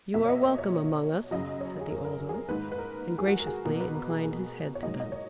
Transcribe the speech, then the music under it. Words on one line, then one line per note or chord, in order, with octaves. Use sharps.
"You are welcome among us," said the Old Oak, and graciously inclined his head to them.
B2 A#3 E5
C#5
D#5
C#5
C#5
F#2 C#3 F#3 D#5
C#5
G#4
A#4
A#4
A#4
G#4
A#4
G#2 D#3 A#3 B4
B4
A#4
G#4
F#4
A#4
G#4
B2 A#3 A#4
B4
A#4
G#4
G#4
C#5
G#2 F#3 A#3 D#5
D#5
C#5